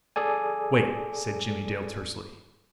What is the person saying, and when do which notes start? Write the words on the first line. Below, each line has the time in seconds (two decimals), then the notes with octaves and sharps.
"Wait!" said Jimmie Dale tersely.
0.16 G#4 A4 D5 G#5